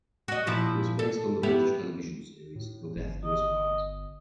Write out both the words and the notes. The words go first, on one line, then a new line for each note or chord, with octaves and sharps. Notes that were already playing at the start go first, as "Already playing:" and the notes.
It was based on the British television series Till Death Us Do Part.
F#4 D#5
A#2 F3 E4
A4
B3 E4 G4
A2
G1
D#5